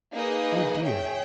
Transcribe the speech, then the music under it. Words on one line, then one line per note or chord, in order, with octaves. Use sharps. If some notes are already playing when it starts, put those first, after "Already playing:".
Oh dear!
A#3 D#4 G#4 B4 D#5
G#4 C#5 E5 G5